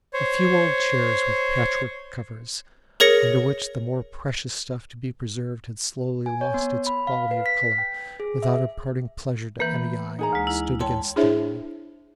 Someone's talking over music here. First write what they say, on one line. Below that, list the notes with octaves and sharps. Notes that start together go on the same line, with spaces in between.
A few old chairs with patch-work covers, under which the more precious stuff to be preserved had slowly lost its quality of colour without imparting pleasure to any eye, stood against the wall.
C5 C#5
G#4 A#4 C#5 A#6 C#7
G#5
C#5
B3
B5
F5
B4
B6
G5
G#4
E5
E3 A#3 B4
D#4 G#4 A#5
D2 G#3
E4
C#5 G5 A5 C6
D4 E4 G#4 C5 C#5 E5